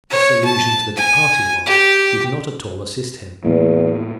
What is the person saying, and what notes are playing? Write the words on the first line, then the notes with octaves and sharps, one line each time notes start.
This allusion to the departed one did not at all assist him.
C#5
A5
G#5
G4
E2 A2 A#3